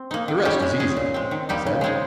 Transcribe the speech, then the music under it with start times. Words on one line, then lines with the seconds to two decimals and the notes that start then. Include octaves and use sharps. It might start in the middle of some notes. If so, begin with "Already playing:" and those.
"The rest is easy," he said.
Already playing: C4
0.11 A#3 D#4
0.28 D#3
0.45 G3 C#4 G4
0.62 G#3
0.80 C#4 G#4
0.96 A#2
1.14 G#3 C4
1.31 D#3
1.49 G3 A#3 D#4 G4
1.67 C#3
1.81 G#3 C4 D#4 G#4